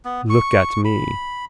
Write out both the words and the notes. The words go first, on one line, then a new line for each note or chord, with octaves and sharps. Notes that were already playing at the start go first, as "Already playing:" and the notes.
Look at me.
B3
C#6
B5